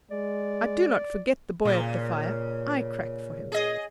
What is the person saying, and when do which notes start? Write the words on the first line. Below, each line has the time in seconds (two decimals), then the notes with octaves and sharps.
I do not forget the boy at the fire; I crack for him.
0.11 G#3 D5
1.65 A#2 C#3
3.52 G#4 D#5